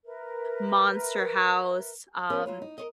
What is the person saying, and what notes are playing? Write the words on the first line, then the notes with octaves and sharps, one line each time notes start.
Monster House, um,
A#4 B4 E5
B3 C#4 G4 A#4 B4
F#3 F4 B4
D#4
A#4 C#5 D#5